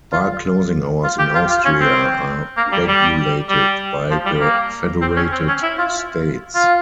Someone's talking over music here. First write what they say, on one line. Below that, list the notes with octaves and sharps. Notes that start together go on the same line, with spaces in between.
Bar closing hours in Austria are regulated by the federated states.
F4
F4
G4
F4
F4
C#4
C4
A#3
G3
G3
G3
F3
G3
A#3
C4
C#4
C4
C#4
E4
F4
F4